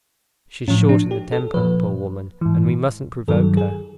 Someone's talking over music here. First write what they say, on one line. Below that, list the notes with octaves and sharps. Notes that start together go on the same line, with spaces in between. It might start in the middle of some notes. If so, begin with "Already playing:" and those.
"She's short in the temper, poor woman! and we mustn't provoke her."
A2 F3 C#4
D4
G4
A4
A#2 F3 B4
G#2 E3
G2 D#3 F#3 A4
G#4